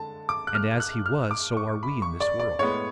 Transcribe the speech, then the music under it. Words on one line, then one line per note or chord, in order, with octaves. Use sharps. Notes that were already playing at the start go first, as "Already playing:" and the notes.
And, as He was, so are we in this world.
Already playing: D3 G#3 A5
D6
F#6
F6
F#6
F6
D6
C#6
B5
C#6
D5
D5
A2 G#3 B3 C#5